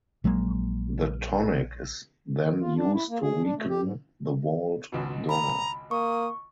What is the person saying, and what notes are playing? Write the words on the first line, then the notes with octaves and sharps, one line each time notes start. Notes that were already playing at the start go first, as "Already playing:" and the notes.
The tonic is then used to weaken the vault door.
A#1 F#3 G#3 A#3
F4
D4
E4
A#3
G#4
D4
A3
G4
G#2
G#1 C#2 B2
A#5 B5
A#3 C#6 D#6